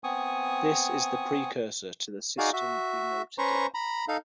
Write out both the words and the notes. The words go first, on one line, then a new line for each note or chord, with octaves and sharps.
This is the precursor to the system we know today.
B3 C4 G#5 C#6 D#6
D#4 F#4 G#4 D5 F5
F#4 E5
C#4 B4 C5 A#5 C#6
A#5 B5
D#4 A4 F5